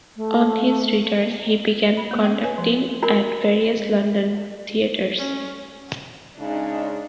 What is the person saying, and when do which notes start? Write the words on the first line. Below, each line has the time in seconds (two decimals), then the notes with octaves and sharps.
On his return he began conducting at various London theatres.
0.16 A3
1.97 B5
2.11 A#3 B3
2.24 C#4 G5
2.44 B4 C#5 G#5
2.58 F3
3.02 D4 F#4 A#4 B5
5.18 C#4
6.39 C#3 G#3 D4 D#4